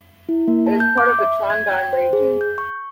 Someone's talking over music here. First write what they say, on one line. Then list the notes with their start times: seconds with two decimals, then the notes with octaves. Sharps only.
It is part of the Trondheim Region.
0.29 E4
0.48 A#3
0.67 A5
0.80 G6
0.98 D6
1.19 E5
1.50 G#6
1.71 G5
1.93 C5
2.13 G#4
2.41 G6
2.58 C#6